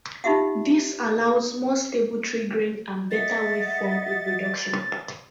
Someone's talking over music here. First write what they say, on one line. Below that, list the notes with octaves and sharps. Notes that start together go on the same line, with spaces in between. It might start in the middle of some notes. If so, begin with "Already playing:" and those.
This allows more stable triggering and better waveform reproduction.
D#4 F4 G4 E5 F#5
D#5 E5 F#5 A6